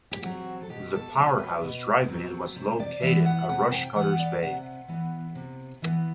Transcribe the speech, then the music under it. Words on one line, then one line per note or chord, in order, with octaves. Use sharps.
The powerhouse driving it was located at Rushcutters Bay.
G4
F#3 C4 F#4
A4
B2 G4
A4
F#3 C4 B4
B4
B2
F#3 C4
C3 C5
D5
E3 B3 E5
F#5
C3 F#5
G5
E3 B3 F#5
D5
C3 F#5
E3 B3
C3
E3 B3